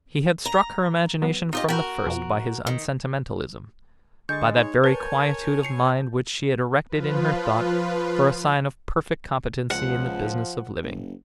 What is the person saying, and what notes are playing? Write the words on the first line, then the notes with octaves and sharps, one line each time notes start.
He had struck her imagination from the first by his unsentimentalism, by that very quietude of mind which she had erected in her thought for a sign of perfect competency in the business of living.
A#5
F#3 B3
D#4 F4 G4 D#5
F#4 A#4 G5 A5 B5
F2 B2 F3
D#3
D3 G#3 C#6 G6 A6
D#4 C#5
A#4 B4 C#5 G#5 A5 G6
C7 C#7 F7
F3 F4 B4
C#2 F3 F#5
F#1